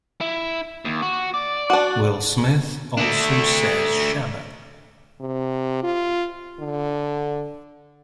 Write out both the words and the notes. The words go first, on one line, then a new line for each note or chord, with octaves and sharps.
Will Smith also says Shabba!
E4
D#2
F#4
D5
D4 F#4
A3 D4
C3
F4
D3